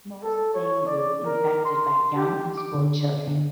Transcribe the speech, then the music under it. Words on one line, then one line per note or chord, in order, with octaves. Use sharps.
Most dengue infected by young and school children.
A4
C#5
D5
A#4
C6
G4
D6
D3
D3